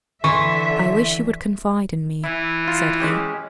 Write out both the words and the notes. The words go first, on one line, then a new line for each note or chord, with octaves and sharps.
"I wish you would confide in me," said he.
D3 E3 E5 C6 C#6
E3 E4
F4
G#3 C#4 G4